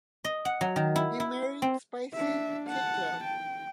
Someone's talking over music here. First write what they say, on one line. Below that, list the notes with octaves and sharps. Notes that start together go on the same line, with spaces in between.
He married Spicy Kittrell.
D#5
F#5
F#3
D#3
E4
E4
C4
D4 E5
F#5 A5
G5